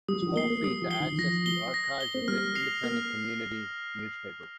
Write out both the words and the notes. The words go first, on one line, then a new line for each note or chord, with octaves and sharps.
Small fee to access the archives of this independent community newspaper.
G3 D#6
F3
A#3 C7 G7
A#3
G3 D#6
F3
C7 G7
D#3
D#3
F3 A#6
G7
A#6
G7
C4
A#3
G3 F6
C7 F7
A#3 F6